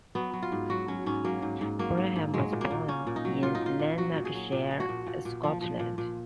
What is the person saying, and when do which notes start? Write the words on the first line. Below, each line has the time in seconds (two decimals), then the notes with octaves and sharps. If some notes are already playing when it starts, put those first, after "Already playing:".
Graham was born in Lanarkshire, Scotland.
0.15 F#3 B3
0.33 F#3
0.43 F4
0.52 G#2
0.70 F#3 F#4
0.88 F#3 C#4
1.06 G#2 C#4
1.25 F#3 A#3
1.42 G#2
1.61 G#2
1.79 F#3 A#3
1.97 G#2
2.16 G#2
2.34 F#3 G#3
2.52 A#2
2.61 A#3
2.71 A#2
2.88 A#2 C#4
3.07 A#2
3.16 D#4
3.25 F#3
3.43 A#2 F4
3.55 D#4
3.61 A#2 F4
3.79 A#2
3.98 F#3 F#4
4.16 A#2
4.25 G#4
4.34 F#3
4.52 A#2
4.71 F3
4.80 F#4
4.89 A#2
5.07 A#2
5.25 A#2
5.43 F3
5.61 F3
5.79 A#2
5.98 A#2